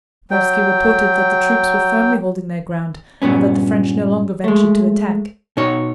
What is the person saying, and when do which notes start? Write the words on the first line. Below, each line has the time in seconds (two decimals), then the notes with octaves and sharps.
Raevski reported that the troops were firmly holding their ground and that the French no longer ventured to attack.
0.31 F#3 G5
3.22 G2 A#2 B3 C#4
4.44 G#3 A3
5.57 B2 D#4 C#5